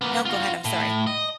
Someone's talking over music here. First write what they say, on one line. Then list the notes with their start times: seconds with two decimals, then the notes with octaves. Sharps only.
No, go ahead, I'm sorry.
0.01 A#3 B3
0.25 F4 F#4
0.65 A2
1.07 D#5